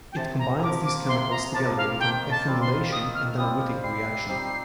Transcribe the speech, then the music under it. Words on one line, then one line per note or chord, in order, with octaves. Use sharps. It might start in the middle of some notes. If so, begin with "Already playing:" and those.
It combines these chemicals together with an ethynylation and then a Wittig reaction.
G5
C3 A5
A#5
F3 A#3 D6
D6
C3 C6
C6
A#5
F3 A#3 A5
F5
D#3 G5
A5
G3 C4 F4
C6
D#3 D#6
F6
G3 C4 F4 D#6
G3 C7
C4 D#4 G4